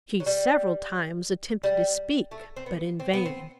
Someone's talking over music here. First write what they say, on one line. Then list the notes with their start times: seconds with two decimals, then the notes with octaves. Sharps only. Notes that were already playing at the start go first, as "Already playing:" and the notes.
She several times attempted to speak; but in vain.
0.20 F#3
0.26 G3
1.64 G3
2.31 A3
2.56 C4
2.66 B3
3.00 C4
3.13 B3
3.25 C4